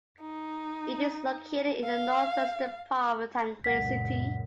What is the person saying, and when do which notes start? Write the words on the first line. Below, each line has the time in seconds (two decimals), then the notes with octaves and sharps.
It is located in the north-western part of Taguig City.
0.21 D#4
1.83 F5
3.64 C#2 F#2 A#2 F#5 B6